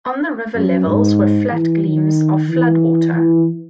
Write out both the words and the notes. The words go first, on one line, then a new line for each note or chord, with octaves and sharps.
On the river levels were flat gleams of flood water.
F#2
G#2
E3
D#3
E3
E3